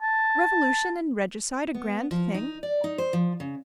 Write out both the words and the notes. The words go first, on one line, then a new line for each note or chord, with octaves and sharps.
Revolution and regicide a grand thing?...
A5
B3
F3
D#4
D5
D#4
C5
F3
C#3